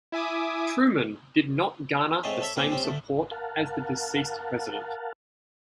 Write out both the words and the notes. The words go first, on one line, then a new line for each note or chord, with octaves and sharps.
Truman did not garner the same support as the deceased president.
E4 E5 G#5 D6 D#6
G#2 A3 C4 C#5 D#5 G#5
A4 C#5 E5
A#2 C4 G#5 A#5 D6
G3 C4 C#4
D2 A3
A#4 F5 F#5 A5